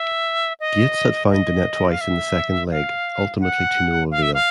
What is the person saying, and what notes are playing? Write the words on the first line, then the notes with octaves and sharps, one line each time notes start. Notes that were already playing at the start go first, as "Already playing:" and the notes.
Gates had found the net twice in the second leg, ultimately to no avail.
Already playing: E5
D#5
D#5
F5
E5
F5
F#5
F5
E5
F5